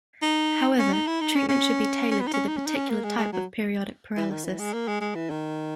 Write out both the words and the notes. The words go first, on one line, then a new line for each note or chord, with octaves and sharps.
However, treatment should be tailored to the particular type of periodic paralysis.
D#4
C#4
D#4
E4
D#4
C#4
C#4
C#4
B3
D#4
C#4
D#4
C#4
D#4
C#4
A#3
G#3
G#3
F#3
E3
D#3
E3
G#3
A#3
G#3
G#3
E3
D#3